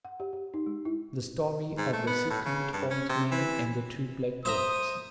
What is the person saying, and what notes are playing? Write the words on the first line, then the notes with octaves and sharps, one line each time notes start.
The Story of the Second old Man and the Two Black Dogs.
F#5
G4
G4
D#4
G#3
E4
G#2
A3
B3
A2
C#3
G2
C#4
C3
E3
C5 E5 A#5 D#6